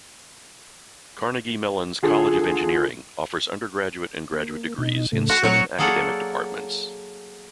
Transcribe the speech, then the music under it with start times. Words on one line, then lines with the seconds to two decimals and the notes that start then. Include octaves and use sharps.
Carnegie Mellon's College of Engineering offers undergraduate and graduate degrees in seven academic departments.
2.03 D3 F4 G#4 A4
4.33 A#3
4.78 B2 D#4
5.12 A2 C#3 A3
5.29 F#4 A4 C6 F6
5.43 A#2 F#3 A3 C4 F#4 C#5
5.78 F#3 A#3 G#4 A4 D5 F#5